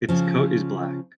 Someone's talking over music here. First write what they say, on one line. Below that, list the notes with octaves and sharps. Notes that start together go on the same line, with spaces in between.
Its coat is black.
C#3 F3